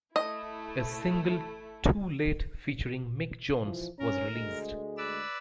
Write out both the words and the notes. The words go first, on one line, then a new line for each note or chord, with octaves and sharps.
A single "Too Late" featuring Mick Jones was released.
A3 E4 D#5
E3 F3
C#4 A#4
D2 G#3
B4 D5 E6